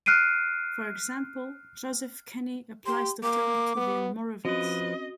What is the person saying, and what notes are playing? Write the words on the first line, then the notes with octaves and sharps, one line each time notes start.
For example, Joseph Kenney applies the term to the Almoravids.
F6 F#6 C7 D7 D#7
G4 C6
A#3 D6
B3
F3 C4 C#4 F#4 B4 D#5